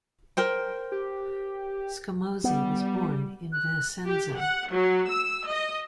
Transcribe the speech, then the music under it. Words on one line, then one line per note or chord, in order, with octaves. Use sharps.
Scamozzi was born in Vicenza.
A#4 C5 G5
G4
G3 B3
F#6
G4
F#5
F#3
E6
D#5